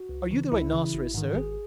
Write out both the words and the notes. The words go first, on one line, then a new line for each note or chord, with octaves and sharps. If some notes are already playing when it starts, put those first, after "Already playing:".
"Are you the rhinoceros, sir?"
Already playing: F#4
C#2
C#3 E3
C#2 E4
C#3 E3
G#1
G#2 D#3
G#1 G#4